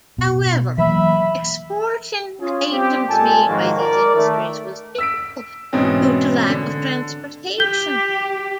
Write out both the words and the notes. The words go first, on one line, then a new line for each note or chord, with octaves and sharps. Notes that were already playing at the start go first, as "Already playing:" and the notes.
However, exporting items made by these industries was difficult due to lack of transportation.
B2
E3 F#3 A#3 E5 B5
C#4 F4 G#4
G3 C4 G4
A#2 G#3 A4 G#5 A5
G#2 D#3 F3 G#3 A#3 F#4
A#4 D5
D#3 A3
E6 B6 D7
G#2 B2 E3 C4 C#4
D3
G4 G6 B6 G7